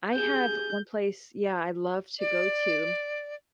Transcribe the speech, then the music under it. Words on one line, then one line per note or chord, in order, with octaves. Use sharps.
I have one place yeah, I love to go to.
G4 G#4 G6
D5